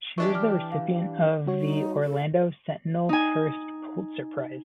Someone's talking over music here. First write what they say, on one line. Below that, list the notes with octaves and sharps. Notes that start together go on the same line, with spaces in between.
She was the recipient of the "Orlando Sentinel" first Pulitzer Prize.
E3 D4 G4 D#5 C#6
D6 F6
F5
G3 F#4 C#5
D#4
A4
D#4 G#5